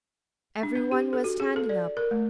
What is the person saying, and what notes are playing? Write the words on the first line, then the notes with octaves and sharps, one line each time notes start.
Everyone was standing up.
D4
B4
G4
A4
F#4
G#4
A4
D5
A#4
A3